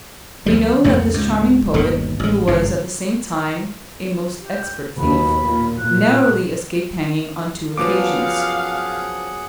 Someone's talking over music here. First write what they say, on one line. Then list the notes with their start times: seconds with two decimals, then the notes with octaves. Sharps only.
We know that this charming poet, who was at the same time a most expert thief, narrowly escaped hanging on two occasions.
0.46 D2 F3 G3
0.84 C2 F2 A3 A#3
1.14 C#2 G#2
1.74 G1 D#2 B2
2.20 A1 G#3
2.47 G#1 G2 C#3
4.40 G4
4.98 D#2 B2 B5
5.44 A#2
5.78 A#2 F#6
7.77 F#2 F3 B3 G#4 F5 F#5 A5 D6